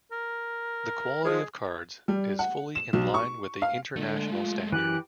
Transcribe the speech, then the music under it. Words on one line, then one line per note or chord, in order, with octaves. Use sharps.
The quality of cards is fully in line with the international standard.
A#4
F3 G#3 G#4
G3
F#5
E7
B1
C#6
F5
D3 G#3 A3
F4
F#2 E3 G4 F#6